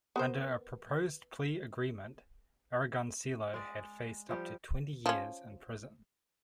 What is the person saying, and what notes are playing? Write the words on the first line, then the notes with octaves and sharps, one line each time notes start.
Under a proposed plea agreement, Aragoncillo had faced up to twenty years in prison.
B3 A#4 C5
G#3 G#4 D5
F3 G3 G4
F3 C#4